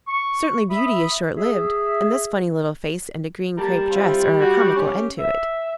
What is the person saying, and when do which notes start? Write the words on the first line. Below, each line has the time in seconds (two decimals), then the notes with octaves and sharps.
Certainly beauty is short-lived, and this funny little face and a green crape dress are a comical end to it.
0.08 C#6
0.70 E5 B5 D#6
1.37 G#4 E5
3.58 G3 A#3 A#4 A5
3.90 C4 E4 F4
4.40 F#4
4.76 C#4 G4
5.18 E5